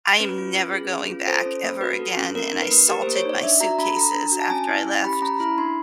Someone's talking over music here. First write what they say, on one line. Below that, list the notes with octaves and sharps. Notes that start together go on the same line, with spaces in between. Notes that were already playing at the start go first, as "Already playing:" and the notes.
"I am never going back ever again, and I salted my suitcases after I left,"
C#4 B4
F4
C#4
G#4
C#4
F4
A4 C5
C#4
A#3
F#4 B4
A4
C#4
A#3 A#4
D#4
B4
A#3
G4 A#4
A#3 C5
C#5
D#4 D5
D4 E5
F#4 A#5
D4 B5
A4 A#5
D4
F#4
A5
C#4 G#5
E4
C#4
G4 B5
C#4 A#5
E4 B5
D4 C6